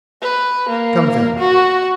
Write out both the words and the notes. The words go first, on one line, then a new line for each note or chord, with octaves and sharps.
"Come, then."
B4
A#3
F#4